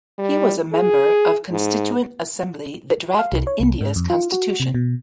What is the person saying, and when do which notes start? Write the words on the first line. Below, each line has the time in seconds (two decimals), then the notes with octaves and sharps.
He was a member of constituent assembly that drafted India's constitution.
0.19 G3
0.73 G#4
1.52 G#2
3.19 F5
3.32 C2
3.47 C#5
3.60 C2
3.81 G#2
3.96 F2
4.10 F4
4.32 F#4
4.60 C3
4.74 B2